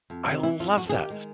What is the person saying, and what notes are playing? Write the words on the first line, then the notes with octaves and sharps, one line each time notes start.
I love that!
F2
C3
E3 E4
F2 F4
F2 F#4
G#4
D#3 G4
G#3